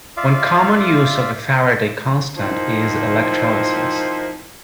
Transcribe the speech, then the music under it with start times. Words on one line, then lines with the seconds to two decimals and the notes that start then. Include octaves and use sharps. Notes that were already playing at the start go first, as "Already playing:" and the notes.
One common use of the Faraday constant is electrolysis.
0.17 F4 D5 E5 F5
2.37 F3 C4 D#4 E4 A#4 C5